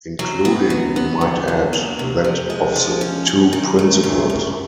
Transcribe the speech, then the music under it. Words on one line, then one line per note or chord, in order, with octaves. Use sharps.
Including, we might add, that of the two principals.
F#3
B3
F#3
B3
D3
F#3
A#3
C3
F3
G#3
F3
C#4
C#4
D#3
A3
F#2
F#2